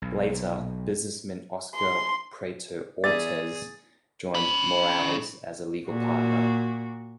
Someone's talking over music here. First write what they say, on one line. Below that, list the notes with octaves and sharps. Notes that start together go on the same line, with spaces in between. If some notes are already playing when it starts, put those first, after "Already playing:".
Later, businessman Oscar Prieto Ortiz joined Morales as a legal partner.
B1
C6
E2 G#4 D5 E5 A6
C#4 B5
A#2 F#4